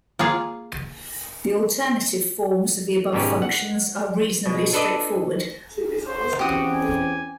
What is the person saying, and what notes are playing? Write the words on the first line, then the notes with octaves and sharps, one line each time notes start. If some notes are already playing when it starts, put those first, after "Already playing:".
The alternative forms of the above functions are reasonably straightforward.
A#3 F4 G#4 F5
G#1 G#2 B2 C#4 G4 B4
F#5
B2 G#3
D4 A4 B4 D5 D#5
C5
E2 C4 C#4 F#4 G4 D#6
G#5